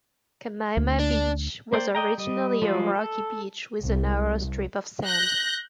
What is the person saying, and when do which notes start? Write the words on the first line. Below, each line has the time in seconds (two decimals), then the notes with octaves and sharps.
Kaimana Beach was originally a rocky beach with a narrow strip of sand.
0.77 D2
1.00 D4
1.73 A#3 C5 D5 G5
1.95 D5 D#5 G5 A#5
2.18 G3 D#5
2.62 F3 G3 G#3 F4
2.95 A4
3.83 C2
5.05 F#6 G6 A#6